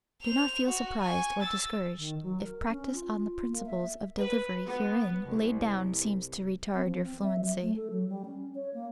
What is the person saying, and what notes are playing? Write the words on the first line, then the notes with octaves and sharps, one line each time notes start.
Do not feel surprised or discouraged if practise on the principles of delivery herein laid down seems to retard your fluency.
C5 F7
F#4
G#5 C#6
E6 A6
D#3
F#3
A#4
C#4
F4
A#3
E5
B4
B3
C2
C4
F3
C4
E5
F#3
A3
A4
F#3
G3
C#4
C#5
A#3